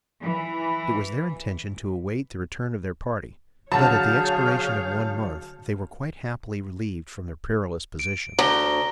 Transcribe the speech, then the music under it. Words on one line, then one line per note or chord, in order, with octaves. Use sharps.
It was their intention to await the return of their party; but, at the expiration of one month, they were quite happily relieved from their perilous position.
E3
D3 F#3 G#4 C#5 F5 A5 F6 G6
D7
D2 A#5 A#6 G7